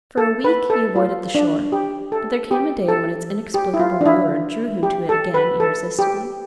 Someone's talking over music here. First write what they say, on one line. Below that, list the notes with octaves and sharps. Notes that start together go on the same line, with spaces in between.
For a week he avoided the shore, but there came a day when its inexplicable lure drew him to it again irresistibly.
A4
B4
A4
F4
D4
G4
A4
G4
A4
G4
E4
F4
D4
E4
G4
A4
B4
A4
G4